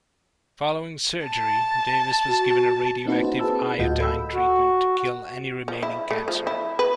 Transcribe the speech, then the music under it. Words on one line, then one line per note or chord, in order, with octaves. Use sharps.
Following surgery, Davis was given a radioactive iodine treatment to kill any remaining cancer.
A5
F#4
A#3 C4 D#4 E4 F#4 B4
C4 D#4 E4 F#4 C5
G#4 B4 A5 E6
D2 A2 F4 F#4 D#5 G6
A4 B5 E6
F#4
F3
E4
A3
F3
E4
B4